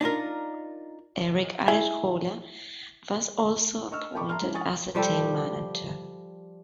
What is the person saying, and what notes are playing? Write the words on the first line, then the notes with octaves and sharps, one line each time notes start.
Erick Arejola was also appointed as the team Manager.
D4 D#4 F4 A#4
E4 G#4
D#5 C#6 E6 F6
A#4 G5 A5 B5 C#6 D6
E5 A5 A#5 C6 F6
F3 G#3 C#4 E4 F#4
G#5 C#6 D#6 A6
F3 G3 G4 A4